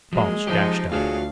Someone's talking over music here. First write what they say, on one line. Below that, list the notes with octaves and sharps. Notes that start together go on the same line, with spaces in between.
Balch dashed up.
F3 F#3 G#3 A#3
F3 D#4 G4 C5
D2 F4 F#4 G#4 C#5 F5